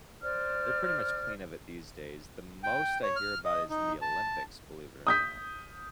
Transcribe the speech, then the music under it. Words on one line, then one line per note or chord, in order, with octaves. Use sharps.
they're pretty much clean of it these days, the most I hear about is in the Olympics, believe it or not.
C5 D5 F6
G5
C#5
F6
D#5
D#4
A5
D#6 G6 B6